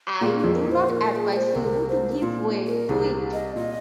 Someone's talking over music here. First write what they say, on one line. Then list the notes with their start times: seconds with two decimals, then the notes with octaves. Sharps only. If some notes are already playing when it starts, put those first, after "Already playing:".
I do not advise you to give way to it.
0.21 A#2 A#3 G#4
0.38 G#4
0.44 F2 F3
0.54 A#4
0.66 A#2
0.72 C5
0.89 A#2 A#4
1.11 A#4
1.16 G#4
1.33 D#5
1.36 C5
1.55 C2 C3 A#4
1.89 C5
2.12 D#4
2.22 A#2 F4
2.67 A#4
2.89 C2 C3 G#4
3.33 D#5
3.56 A#2 D#5